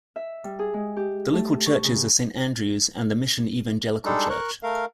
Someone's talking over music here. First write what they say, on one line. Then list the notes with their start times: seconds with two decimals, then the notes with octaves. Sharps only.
The local churches are Saint Andrews and the Mission Evangelical Church.
0.16 E5
0.44 G3
0.59 G#4
0.74 G#3
0.97 G4
1.33 A3
1.66 C#6
1.84 C#3
4.05 G3 G#3 D4 D#4 A4
4.30 A#4 C#6 F#6
4.63 A3 A#4 F5